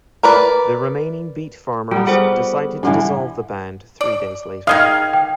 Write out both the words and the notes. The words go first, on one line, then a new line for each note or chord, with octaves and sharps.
The remaining Beat Farmers decided to dissolve the band three days later.
A#4 B4 D5
G3 B3 F4
B3 G#4 A4 C5
G2 D3 E3
D5
D#3 D#5 F5 D#6 F6 G#6
G5